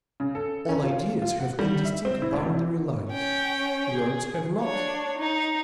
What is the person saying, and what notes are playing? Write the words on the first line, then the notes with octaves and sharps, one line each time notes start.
All ideas have indistinct boundary lines, words have not.
C#3
A4
C#4
F4
F4
F#5
G3
E5
C4
E4
D2
C3
C#4 G5
G#4
D4 C#5
D#4